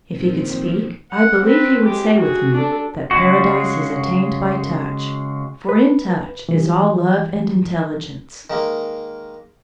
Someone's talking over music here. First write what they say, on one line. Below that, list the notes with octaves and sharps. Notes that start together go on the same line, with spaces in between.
If he could speak, I believe he would say with me that paradise is attained by touch; for in touch is all love and intelligence.
A#2 D#3 F3 C4
F#5
C4 B4
G#3 G4
F#4 G#4
D4 A4
C#3 G#3 F#4
B4
E3 G3
D#3 G#3 A#3